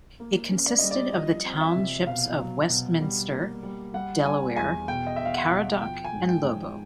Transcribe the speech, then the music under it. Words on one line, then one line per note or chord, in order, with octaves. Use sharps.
It consisted of the townships of Westminster, Delaware, Caradoc and Lobo.
A#3
C#4
D5
G3 D#5
D5
F3 D#5
C4
E5
C3
B2 F5
F#3
B2
G3
A#3
G3
G3 F#5
G3 G#5
E2 G#5
B2 G5
D#5
B2 E5
F5
F#5
B2
F3 G5
G#5
G#2
G5
G#2